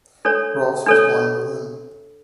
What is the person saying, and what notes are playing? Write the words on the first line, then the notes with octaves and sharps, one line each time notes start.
Rohlfs was born in Berlin.
D4 A4 C#5
D4 A4 C#5